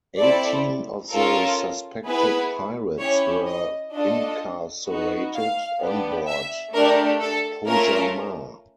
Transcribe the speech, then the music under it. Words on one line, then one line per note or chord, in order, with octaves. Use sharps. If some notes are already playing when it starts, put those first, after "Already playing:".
Eighteen of the suspected pirates were incarcerated onboard "Pohjanmaa".
C4 E4 A4 D5
C#4 F4 A4 A#4
B3 E4 G#4 B4
C#4 E4 G4 C#5
D#5
D4 F4 A4 D#5
B3 D#4 F#4
F5
B3 D4 G4
E5
A3 D4 G4 A#4
A4
A3 C#4 F4 A#4